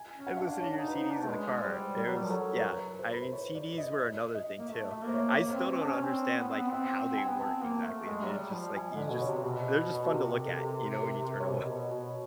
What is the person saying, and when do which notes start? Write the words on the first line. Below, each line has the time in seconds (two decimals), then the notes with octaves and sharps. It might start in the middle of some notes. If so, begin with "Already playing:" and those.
and listen to your CDs in the car, it was yeah. I mean, CDs were another thing, too. I still don't understand, like, how they work exactly. I mean, it's just, like you just they're just fun to look at, you know, when you turn them on.
Already playing: G#5
0.15 C#4
0.27 F#5
0.37 D4 F5
0.47 F#5
0.61 D4 C#5
0.72 D4
0.77 D#4
0.88 B4
0.95 D#4 C5
1.12 D4
1.24 A3
1.29 G#3 B4
1.63 G3 C5
1.97 G3 A#4
2.06 F#3
2.18 G3
2.24 F3
2.30 F#3 A4
2.61 A#4
2.65 B4
2.99 C5
3.13 B4
3.23 C5
3.33 C#5
3.55 D5
3.72 D5
3.78 D#5
4.00 D5
4.34 D#5
4.59 A#3
4.68 A3 E5
4.91 E5
5.03 A#3 C5
5.14 C#5
5.36 A#3 C#5
5.46 C5
5.53 C4 B4
5.66 C4 C5
5.81 D4
5.88 C#4
6.04 C4
6.38 B3
6.48 C4
6.59 B3
6.72 C4 F#5
7.07 C4
7.13 G5
7.17 G#5
7.29 B3
7.40 C4 A5
7.63 A#3
7.85 A3
8.08 G#3
8.25 F#3
8.30 G3
8.53 F3
8.76 G#5
8.91 D3 D#5
8.99 D5
9.10 B2
9.22 C#5
9.27 C3
9.44 B2
9.61 C5
9.78 B4
9.94 B4
10.12 C3 A#4
10.46 A4
10.80 A#4
11.02 A#4
11.40 C#5
11.48 B2 C5
11.70 B2
11.92 B2